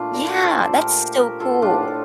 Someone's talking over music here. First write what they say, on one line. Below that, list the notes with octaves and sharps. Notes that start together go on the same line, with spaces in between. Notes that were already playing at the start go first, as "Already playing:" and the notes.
Yeah, that's so cool.
Already playing: A#2 A3 D4 F4
A#4 D5
A4 C5
A#2 A3 G4 A#4
G4 A#4
F4 A4
A2 A3 D4 F4
A4